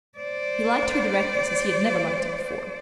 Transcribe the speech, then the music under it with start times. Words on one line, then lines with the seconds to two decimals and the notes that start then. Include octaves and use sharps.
He liked her directness as he had never liked it before.
0.18 C5 D5